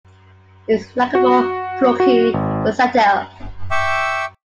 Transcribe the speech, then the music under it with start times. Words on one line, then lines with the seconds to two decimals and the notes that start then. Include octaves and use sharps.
He's likable, plucky, versatile.
1.15 F#4
2.00 F#4
2.34 G#1
3.71 E5 G5 C#6 D6 E6